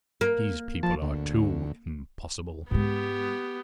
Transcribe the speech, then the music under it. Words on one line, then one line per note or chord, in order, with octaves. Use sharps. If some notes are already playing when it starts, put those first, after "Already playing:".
These people are too impossible.
A#3
F3 A5
D2
G#2 G#3 B3 G4